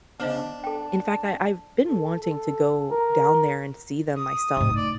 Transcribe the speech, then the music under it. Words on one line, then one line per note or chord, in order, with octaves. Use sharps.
um, in fact, I I've been wanting to go down there and see them myself,
B3 D4 C5 D#5 A5
A4 G5 A5
A4
A4
A#4
D#6
A2 D#4
D5